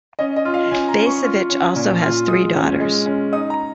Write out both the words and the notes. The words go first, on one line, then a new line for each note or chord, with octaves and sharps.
Bacevich also has three daughters.
C#4 D#5
D#5
F4
F5
C#4 G#5
A#5
C#4
C#6
F4
C#4
A#2
F4
G#3 D#6
C#4
G#3
C#4
D#4 D#6
A#5